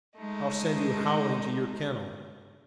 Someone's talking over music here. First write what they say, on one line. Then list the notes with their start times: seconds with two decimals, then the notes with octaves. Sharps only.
I'll send you howling to your kennel!
0.18 G#3 A3 D#4